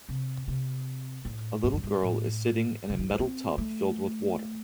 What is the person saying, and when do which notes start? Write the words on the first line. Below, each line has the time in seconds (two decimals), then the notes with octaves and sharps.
A little girl is sitting in a metal tub filled with water.
0.09 C3
0.48 C3
1.25 A2
1.64 G#2
1.74 F#2
1.84 G#2
2.03 A2
2.90 C#3
2.99 D#3
3.10 F#3
3.19 C4
3.58 A3